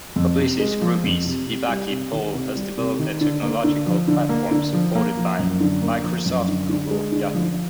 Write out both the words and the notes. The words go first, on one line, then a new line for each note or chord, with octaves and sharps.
Publicis Groupe's Vivaki pole has developed a technological platform supported by Microsoft, Google, Yahoo!
F2
C3
G#3
F3
F2
C3
C3
G3
C3
D#3
C3
G3
C3
D#3
D3
A#3
D3
F3
D3
A#3
D3
F3
A#3
F3
F#2
D3
A#3
F3
F#2
D3
D3
G#3
D3
F3